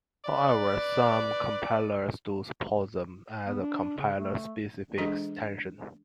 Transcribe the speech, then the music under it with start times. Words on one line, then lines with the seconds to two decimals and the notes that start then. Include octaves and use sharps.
However, some compilers do support them, as a compiler specific extension.
0.25 B4 D5
3.47 B3
3.62 D4
3.98 C#3
4.16 A3
4.98 E3 G#3 D4 G#4 A4 D#5